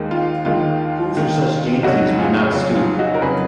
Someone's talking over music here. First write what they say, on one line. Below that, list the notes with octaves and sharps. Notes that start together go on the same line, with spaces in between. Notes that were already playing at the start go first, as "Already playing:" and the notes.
Who for such dainties would not stoop?
Already playing: D#2 D#3 G#3
F4
D#2 D#3 G#3 F4
D#2 D#3 G#3
F2 C#3 F#3 C#4 D#4 F#4
F4 G#4
F2 C#3 F#3 C#4
F4 G#4
D#4 F#4
A#4
F2 C#3 F#3 C#4 G#4 B4